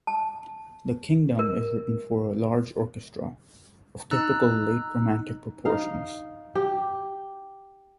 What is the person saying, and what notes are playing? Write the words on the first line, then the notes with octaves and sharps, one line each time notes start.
"The Kingdom" is written for a large orchestra, of typical late Romantic proportions.
A5
A#4
D#4 A#5 E6 F#6
D#4 F5
G4